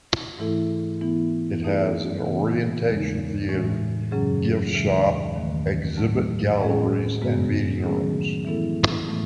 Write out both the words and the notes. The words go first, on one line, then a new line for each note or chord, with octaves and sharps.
It has an orientation theater, giftshop, exhibit galleries, and meeting rooms.
G#2 E3 A3 E4 A4
E3 B3 E4
E3 A3 D#4 G#4
C#3 E3 B3
E2 C#3 G#3 D#4
A2 E3 G#3
F#2 C#3 F#3 C#4 G#4
D#2 C#3 E3 G#3
D#2 D#3 A3
A2 F#3 A3
A2 G#3 C#4 G#4
F#2 C#3 G#3 B3 F#4
D#3 F#3 A3 C#4 G#4
E3 G#3 B3 E4 A4
A2 E3 A3